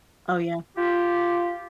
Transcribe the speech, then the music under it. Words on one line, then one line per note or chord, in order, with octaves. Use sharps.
Oh yeah.
F4 G4